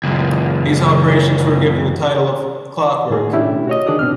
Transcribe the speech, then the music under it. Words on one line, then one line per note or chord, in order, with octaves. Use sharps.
These operations were given the title of "Clockwork".
C#2 F#2
A2 D#3 G#4
B2 A3 C#4 D4 E4 G4
F#4 C#5 D#5
D#3 D4 G#4 D5 D#6
B2 C4 D4 F6